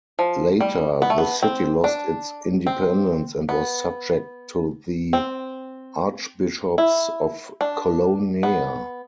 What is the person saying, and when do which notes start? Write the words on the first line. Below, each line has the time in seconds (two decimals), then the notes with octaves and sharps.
Later, the city lost its independence and was subject to the Archbishops of Colognea.
0.19 F3
0.60 G3
1.02 B3
1.10 A3
1.18 B3
1.42 C4
1.84 D4
2.67 C4
3.49 B3
5.13 C4
6.78 E4
7.61 D4
8.43 B3